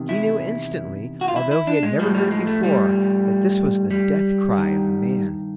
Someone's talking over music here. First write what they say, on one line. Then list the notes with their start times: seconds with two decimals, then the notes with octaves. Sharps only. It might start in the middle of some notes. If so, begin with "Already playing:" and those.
He knew instantly, although he had never heard it before, that this was the death cry of a man.
Already playing: E2 C3 D#3
0.09 E4
1.21 F#4
1.28 F4
1.36 E4
1.51 E4
1.67 D4
1.83 G#3
1.99 A2 F3 G3
2.15 G3
2.31 G#3
2.47 A3
2.63 G3
3.91 G3
4.53 G2 D#3